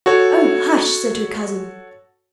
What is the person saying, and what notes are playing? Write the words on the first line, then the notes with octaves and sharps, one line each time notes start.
"Oh, hush!" said her cousin.
F#4 A4 C#5